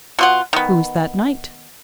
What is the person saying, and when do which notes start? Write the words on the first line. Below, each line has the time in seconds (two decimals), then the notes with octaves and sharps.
Who is that knight?
0.19 B2 F4 F#5
0.53 D#3 B3